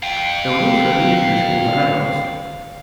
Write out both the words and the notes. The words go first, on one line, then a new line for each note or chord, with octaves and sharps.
There was also an evening school for adults.
F5 G5